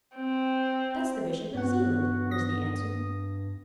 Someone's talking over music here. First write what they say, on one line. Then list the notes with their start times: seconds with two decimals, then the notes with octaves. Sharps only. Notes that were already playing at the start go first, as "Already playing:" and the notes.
"That's the Bishop of Zealand," was the answer.
0.15 C4
1.54 G2 B3 F#4 F#5
2.31 D#6 A#6